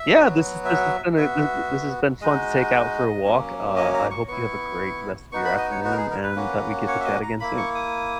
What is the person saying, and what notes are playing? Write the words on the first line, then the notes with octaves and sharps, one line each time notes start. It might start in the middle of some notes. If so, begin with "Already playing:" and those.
Yeah, this is this has been a, w this has been fun to take out for a walk. Uh, I hope you have a great rest of your afternoon and that we get to chat again soon.
Already playing: E5
F#3 B3 F#4
E5
B3 F#4 E5
G#3 D#4 F#4 D#5
F#3 A#3 C#4
D#5
A#5
C#6
B3 E4 C#6
B3 D#4 F#4 C#6
B5
D#5
C#5
F#4
A#4
G#4
A#4
B4
A#3 C#4 F#4
C#5
E5
D#5
A#5
A#3 E4 B5
C#6
D#6